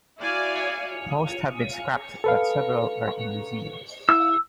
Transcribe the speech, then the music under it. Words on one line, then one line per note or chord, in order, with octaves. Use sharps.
Most have been scrapped, but several are in museums.
E4 F#4 D5 F5 G#5
A4 B4 F5
E4 E6